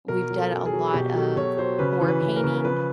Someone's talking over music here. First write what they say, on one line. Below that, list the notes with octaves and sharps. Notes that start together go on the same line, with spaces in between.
we've done a lot of pour painting,
B2 A#4
F#3
A4
F#3
G#4
F#3
B2 G4
F#3 A4
B2 C#5
F#3 C5
C#3 B4
E3
B4
C#3
A#4
C#3
F3 B4